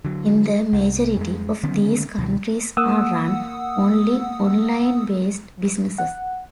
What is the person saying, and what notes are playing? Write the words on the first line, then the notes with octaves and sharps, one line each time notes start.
In the majority of these countries are run only online-based businesses.
D3 F#3
C2
F2 G#3
D3 D#3 B3 C#4
C#2 B2 D#3
A#3 F#5 D#6 E6
F#5